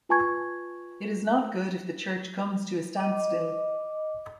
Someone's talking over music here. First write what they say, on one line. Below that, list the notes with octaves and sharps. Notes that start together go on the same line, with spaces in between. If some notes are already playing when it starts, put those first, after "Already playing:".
It is not good if the Church comes to a standstill.
F4 B4 G#5 A5 C#6 G#6
D#5 D6